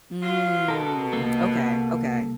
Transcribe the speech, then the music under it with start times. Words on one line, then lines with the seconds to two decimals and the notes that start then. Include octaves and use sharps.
Mm. Okay, okay,
0.22 F#3 F4
0.68 B2 A4 A#4
1.13 C2 A#3 A4